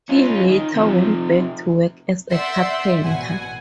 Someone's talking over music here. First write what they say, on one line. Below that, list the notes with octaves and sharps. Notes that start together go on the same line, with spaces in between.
He later went back to work as a carpenter.
C#4 F4
D#3
C3 F3
D5 E5 F#5 C6 E6 G6
A1 B2 F#5 G#5